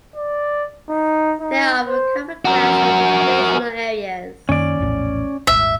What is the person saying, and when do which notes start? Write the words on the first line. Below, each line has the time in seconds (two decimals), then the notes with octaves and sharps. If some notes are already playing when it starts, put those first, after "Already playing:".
There are of common grounds and recreational areas.
0.16 D5
0.89 D#4
1.41 D#4
1.87 C5
2.45 F#4 A#4
4.49 F#2 D#3 A#3 C#4 D5
4.79 A#1 E2 A2
5.47 D#1 G#1 E5